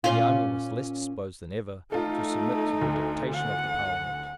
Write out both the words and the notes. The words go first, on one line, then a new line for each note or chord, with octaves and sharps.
The army was less disposed than ever to submit to the dictation of the Parliament.
A#2 C#4 F4
A3 D#4 F4 A4
D2
F#5